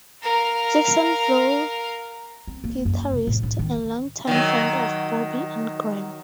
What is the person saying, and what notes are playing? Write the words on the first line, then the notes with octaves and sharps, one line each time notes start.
Jacksonville guitarist and longtime friend of Bobby Ingram.
A#4 F5
C4
A#3
F#2
C3
A2
D4
D#3
D#3 F#3